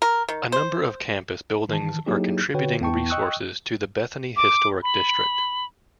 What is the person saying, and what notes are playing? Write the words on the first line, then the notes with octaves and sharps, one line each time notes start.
A number of campus buildings are contributing resources to the Bethany Historic District.
A#4
D#3
C5
D#3 E3 A5
F#3 A#3 D#4 E4 G4 G#4
D3 F#4 B4 C#5 G5
E2 B3 E4 G5 A5 C#6
D#5 G5 C#6 D#6 E6 F#6
D6
B5